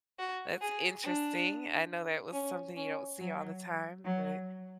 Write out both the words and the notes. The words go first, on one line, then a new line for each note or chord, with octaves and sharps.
that's interesting. I know that was something you don't see all the time. But,
F#4
G#4
D4
C#4
C#4
F#3
F#3